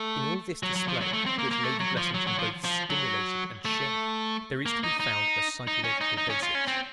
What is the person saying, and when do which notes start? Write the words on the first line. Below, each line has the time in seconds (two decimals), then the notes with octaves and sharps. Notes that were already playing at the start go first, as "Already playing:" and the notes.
In all this display, which Lady Blessington both stimulated and shared, there is to be found a psychological basis.
Already playing: A3
0.63 F#3
0.75 F#3
0.88 F3
1.01 F#3
1.13 A3
1.26 C4
1.38 A#3
1.51 A#3
1.64 A3
1.80 F#3
1.97 F3
2.14 F#3
2.27 F#3
2.39 F3
2.64 F3
2.90 F#3
3.65 A3
4.66 A#3
4.84 D#4
5.00 D#4
5.67 D#4
5.84 C#4
6.01 D#4
6.17 D#4
6.30 C#4
6.43 F4
6.55 C#4
6.67 C4